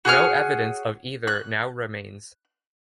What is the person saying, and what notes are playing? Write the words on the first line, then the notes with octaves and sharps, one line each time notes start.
No evidence of either now remains.
F#4 G#4 C#5 F6
F#6